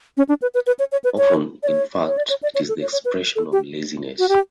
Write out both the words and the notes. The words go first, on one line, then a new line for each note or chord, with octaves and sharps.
Often, in fact, it is the expression of laziness.
C#4
D4
B4
B4
B4
C#5
C#5
B4
C#5
D5
C#5
C#5
D5
C#5
D5
C#5
A4
C#5
C#5
B4
A4
G4
F#4
G4